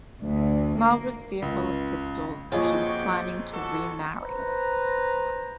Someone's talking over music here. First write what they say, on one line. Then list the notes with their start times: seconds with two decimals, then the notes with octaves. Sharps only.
Maude was fearful of pistols and she was planning to remarry.
0.22 D2
0.79 A#3
1.42 C#2
2.52 F2 A#2 F4 F#4 G#4 C#5 D#5 G5
3.54 F#4 A4
4.22 B4 C5 A#5